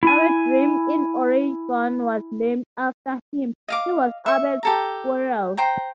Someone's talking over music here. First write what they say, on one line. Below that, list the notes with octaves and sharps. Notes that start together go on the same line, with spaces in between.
Abert Rim in Oregon was named after him, as was Abert's Squirrel.
E4 G#5
D#5 F5 D6
E5 C#6
G4 A4 A#5
C5 G5 A#5